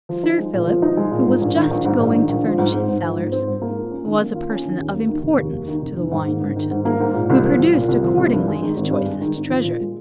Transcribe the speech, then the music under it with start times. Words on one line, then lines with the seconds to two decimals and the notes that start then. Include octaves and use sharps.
Sir Philip, who was just going to furnish his cellars, was a person of importance to the wine-merchant, who produced accordingly his choicest treasures.
0.09 F3
0.23 D#4
0.38 G#3
0.53 A#2
0.67 F3
0.82 D#4
0.97 G#3
1.12 A#2
1.26 G#2
1.42 A#1
1.56 D#3
1.71 A#1
1.85 G#2
2.00 A#1
2.15 D#3
2.29 A#1
2.44 F3
2.58 G#2
2.73 C4
2.88 G#2
3.03 F3
3.18 G#2
3.32 C4
3.47 G#2
3.62 A#3
3.76 F4
3.92 C#4
4.06 D#3
4.21 A#3
4.35 F4
4.50 C#4
4.65 D#3
4.79 D#2
4.94 A#3
5.08 D#3
5.23 F1
5.38 D#2
5.53 A#3
5.68 D#3
5.82 F1
5.97 D#3
6.12 G#2
6.27 A#3
6.42 G#2
6.56 D#3
6.71 G#2
6.85 A#3
7.00 G#2
7.14 A#2
7.30 C2
7.44 F3
7.59 C2
7.73 A#2
7.89 C2
8.03 F3
8.17 C2
8.32 G2
8.48 G#3
8.62 D#3
8.77 G#1
8.91 G2
9.06 G#3
9.21 D#3
9.36 G#1
9.50 F3
9.64 A#2
9.80 G#3